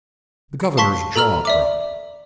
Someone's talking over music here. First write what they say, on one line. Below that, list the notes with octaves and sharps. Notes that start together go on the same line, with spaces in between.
The governor's jaw dropped.
F5 A5 C6 C#6 B6
A4 A#5 E6 F6 F#7
D5 E5 D6